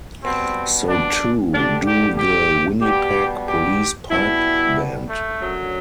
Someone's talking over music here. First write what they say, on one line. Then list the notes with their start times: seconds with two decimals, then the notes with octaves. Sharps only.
So too do the Winnipeg Police Pipe Band.
0.23 B2 G3 C4
0.88 D4
1.53 G2 D3 G3 D4
1.85 G4
2.17 G4
2.81 B2 G3 G4
3.46 G4
4.11 B2 G3 E4
5.08 A3
5.40 F#2 D3 F#3